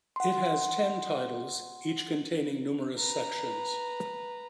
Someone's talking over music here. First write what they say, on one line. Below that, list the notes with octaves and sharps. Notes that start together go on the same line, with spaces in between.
It has ten titles, each containing numerous sections.
F#5 C6
B4 A#5